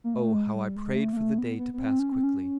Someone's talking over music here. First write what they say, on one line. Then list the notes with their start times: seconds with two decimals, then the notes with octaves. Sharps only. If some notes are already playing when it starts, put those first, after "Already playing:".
Oh, how I prayed for the day to pass quickly!
0.04 A#3
0.14 A3
0.34 G#3
0.56 G3
0.76 G#3
0.96 A3
1.13 A#3
1.17 A3
1.38 B3
1.59 B3
1.74 B3
1.79 C4
1.99 C#4
2.12 C4
2.23 C#4